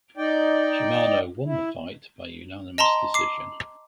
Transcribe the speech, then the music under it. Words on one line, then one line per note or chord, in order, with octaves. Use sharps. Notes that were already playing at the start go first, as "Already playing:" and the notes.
Shimano won the fight by unanimous decision.
D#4 D5 G5
E4
D#5 A5 A#5 C6
D6 C7